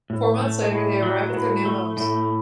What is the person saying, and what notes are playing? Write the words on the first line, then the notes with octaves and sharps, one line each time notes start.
Four months later, they arrived at their new homes.
A2
A3
A2
F#3
A2
A3
A2